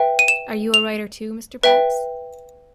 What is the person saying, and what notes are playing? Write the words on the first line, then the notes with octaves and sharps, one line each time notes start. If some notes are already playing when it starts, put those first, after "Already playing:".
Are you a writer too, Mr. Pats?
Already playing: B4 E5 G5
D#7
E7
F7
B4 E5 G5